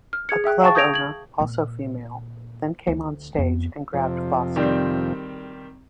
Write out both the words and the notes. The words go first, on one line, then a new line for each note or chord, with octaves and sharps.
A club owner, also female, then came on stage and grabbed Foster.
F6
G#4 G#6 C#7
G#4 E5 G5 F#6
F5 G5 A5 C#6 A6
D#6 G6 G#6 A#6 D7 F7
G#6 F#7
A#2
D2
F2 B3
F2 C3 F3
D#3 G3 C4